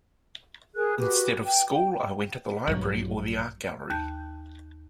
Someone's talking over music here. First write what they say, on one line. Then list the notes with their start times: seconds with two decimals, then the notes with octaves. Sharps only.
Instead of school I went to the library or the art gallery.
0.76 G#4 A#4 F#6
0.98 F#4 G4 B4
1.45 G5
1.73 G5
2.67 A#1 G2 F#3
3.90 D#2 A5 G6